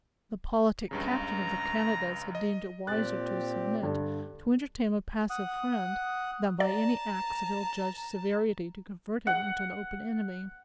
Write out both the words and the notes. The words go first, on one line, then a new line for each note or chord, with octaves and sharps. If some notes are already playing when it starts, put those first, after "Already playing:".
The politic captain of the Canadas had deemed it wiser to submit to entertain a passive friend, than by any acts of ill-judged severity to convert him into an open enemy.
C#2 G2 C#3 A#5
D#5
A#2 C4 G4 F#6 A6
G2 D3
F#5 D#6
D5 A5 A#5
F#5